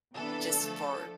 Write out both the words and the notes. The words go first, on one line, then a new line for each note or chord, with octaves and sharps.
just for
C3 E3 B3 D4 A4
D3 F3 A3